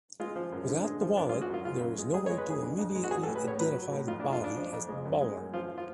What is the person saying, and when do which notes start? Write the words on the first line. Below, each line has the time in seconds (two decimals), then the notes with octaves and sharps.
Without the wallet, there is no way to immediately identify the body as Bullard.
0.20 G#3 F4
0.36 F3
0.52 F#2
0.69 D3
0.85 G#3
1.01 F3
1.17 F#2 D4
1.29 F4
1.33 G#3
1.42 F#4
1.50 F#2 F4
1.65 C#3 F4
1.81 F#2
1.98 G#3
2.14 F2 G#4
2.26 C#5
2.30 G#3
2.38 B4
2.46 F2 G#4
2.62 D3
2.79 F2
2.95 G#3
3.04 F#4
3.11 F#3 G#4
3.23 A4
3.27 A2
3.36 B4
3.43 A2 C#5
3.59 F#3 B4
3.76 F#3
3.92 A2
4.08 F2 F4
4.20 D4
4.24 G#3
4.33 F4
4.40 F2 D4
4.57 F3
4.73 F2
4.89 G#3
5.05 F#2
5.21 G#3
5.37 F#2
5.53 F3 F4
5.78 F4